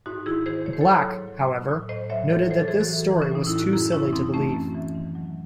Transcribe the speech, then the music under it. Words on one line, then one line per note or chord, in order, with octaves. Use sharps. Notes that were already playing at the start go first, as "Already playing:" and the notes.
Black, however, noted that this story was too silly to believe.
G#2 D#4 F#4
D#3 E4 G#4
D#3 G#4 C5
D#3 C#5
C5
A4 C#5
F#3
G#2
F#3
F#3
A2
A2 C5 D#5
F#3 C#5 E5
F#3 A4 C#5
E3 C5
A4
E3 G#4 C5
F#4 A4
E3
E3
C#4
A2 D#4
E4
A2
F#4
F#2 E4 G#4
E3 C#4 E4
F#2 C4 D#4
E3 A3 C#4
F#2
E3
D#3
F#3